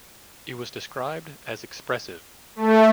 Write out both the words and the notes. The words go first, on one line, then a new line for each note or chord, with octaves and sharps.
It was described as "expressive".
A3